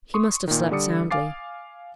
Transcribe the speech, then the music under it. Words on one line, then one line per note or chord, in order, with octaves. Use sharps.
He must have slept soundly.
C6 C#6 D#6
A#2 D#3
D3 G3 D5 D6 D#6 C#7
F5 G#5 D6 A6 C7